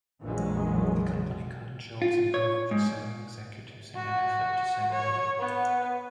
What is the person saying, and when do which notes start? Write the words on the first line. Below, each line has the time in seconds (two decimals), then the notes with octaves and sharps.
The company cut jobs and removed several executives in an effort to save money.
0.22 A#1 F2 D#3 E3 F#3 G#3
2.02 F4
2.34 C#5
2.71 G#2
3.96 F#4
4.92 C#5
5.39 B3